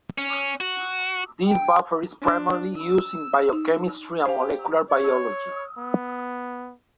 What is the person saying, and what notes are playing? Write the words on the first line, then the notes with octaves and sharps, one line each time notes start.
This buffer is primarily used in biochemistry and molecular biology.
C#4
F#4
G5
D4
E6
D#4
G4 C5 F5
C#5
B3